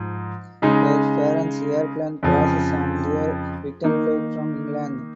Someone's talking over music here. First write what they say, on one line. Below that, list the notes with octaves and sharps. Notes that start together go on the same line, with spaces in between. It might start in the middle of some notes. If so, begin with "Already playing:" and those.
Her parent’s air plane crashes on their return flight from England.
Already playing: G#2 F3
C#3 G#3 D#4
F2 C#3 F3
D#3 A#3 D#4